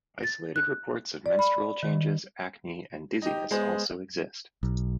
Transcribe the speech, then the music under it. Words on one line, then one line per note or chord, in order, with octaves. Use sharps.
Isolated reports of menstrual changes, acne, and dizziness also exist.
A6
F#6
D5
B5
D#3
D#4 G4
G#3 B3 G#4 C5
B1